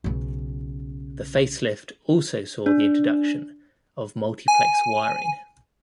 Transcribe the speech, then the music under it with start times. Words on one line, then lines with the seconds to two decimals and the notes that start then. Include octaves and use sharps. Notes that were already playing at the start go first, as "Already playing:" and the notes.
The facelift also saw the introduction of multiplex wiring.
0.04 B1 C#3
2.66 D4
4.48 G#5